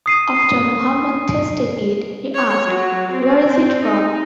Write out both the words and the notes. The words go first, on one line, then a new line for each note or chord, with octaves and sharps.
After Muhammad tasted it, he asked, Where is it from?
D#6 C7 D#7
C#5
F#3
C4
C4
D#4